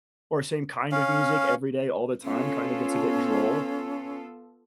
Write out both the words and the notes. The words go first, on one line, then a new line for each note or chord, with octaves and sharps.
or same kind of music every day all the time kinda gets a bit droll.
C#4 F5
B3 C#4 F4 A4